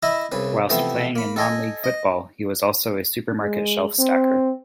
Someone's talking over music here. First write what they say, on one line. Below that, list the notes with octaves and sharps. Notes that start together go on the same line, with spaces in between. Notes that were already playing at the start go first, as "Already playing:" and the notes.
Whilst playing in non-League football he was also a supermarket shelf stacker.
E4 D#5 E5 B5
C2 C#3 B4
C3 E3 F3 A3 B3
A#3 B5
A4 D#5 G#5
D#5
G#3
C4